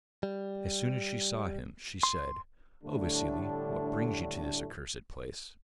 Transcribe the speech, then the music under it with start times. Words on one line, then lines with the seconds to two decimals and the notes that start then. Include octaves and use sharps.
As soon as she saw him she said: 'Oh, Vassili, what brings you to this accursed place?'
0.23 G3
2.03 C6
2.84 A2 D3 G3 A3 D4